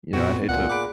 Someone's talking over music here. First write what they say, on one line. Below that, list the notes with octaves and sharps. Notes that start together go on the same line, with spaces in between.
you know, I'd hate to
F2 A#2 B3 C4 F#4
C#2 A#2 F#5
G#4 B5 D6 D7